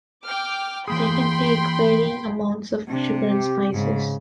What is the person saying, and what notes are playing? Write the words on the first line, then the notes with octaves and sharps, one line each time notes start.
They can take varying amounts of sugar and spices.
G5 D6 F6
E3 A#3 G#4 G5 B5 C6
C3 D4
G4
G#2 C#3